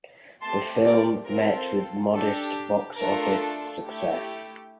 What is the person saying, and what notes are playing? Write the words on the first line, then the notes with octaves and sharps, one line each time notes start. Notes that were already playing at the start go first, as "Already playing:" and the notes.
The film met with modest box office success.
A3 C4 G4 A5 C6
A#4 D5
C4 F4 A4 A#4
D4 G4 A4
A3 D4 F4 A4 A#4
A3 E4 G4